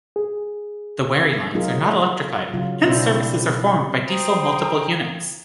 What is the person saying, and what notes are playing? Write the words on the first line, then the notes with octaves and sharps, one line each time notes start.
The Wherry Lines are not electrified, hence services are formed by diesel multiple units.
G#4
F#3 D#4 F4 G#4 A#4
C#3 F#3 F4
B2 C4 D4 E4 C5 E5
C5 G5 A#5 D#6